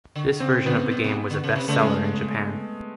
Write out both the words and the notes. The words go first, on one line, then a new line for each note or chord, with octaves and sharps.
This version of the game was a bestseller in Japan.
D3
C#3 C4
D3 B3
C#3
B2
C3
D3
C#3
C3
C#3 A3
G#3